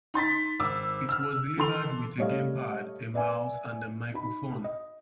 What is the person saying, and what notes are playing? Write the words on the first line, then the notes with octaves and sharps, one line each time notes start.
It was delivered with a gamepad, a mouse and a microphone.
D#4 C6 A6 B6
G#1 D6 E6
E6 F6
E3 A4 C6 F7
G3 A3 C#5 D#5 F5
B4 D5 E5 G#5
D#4 B5
D#5